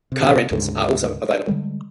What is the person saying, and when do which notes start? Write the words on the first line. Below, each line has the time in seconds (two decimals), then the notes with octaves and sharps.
Car rentals are also available.
0.12 C3
0.51 D2 G#2 C#3
1.47 D3 G3 G#3